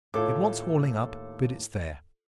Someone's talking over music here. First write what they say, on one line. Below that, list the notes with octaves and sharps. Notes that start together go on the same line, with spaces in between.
It wants hauling up, but it's there.
D#2 A2 F4 A4 D6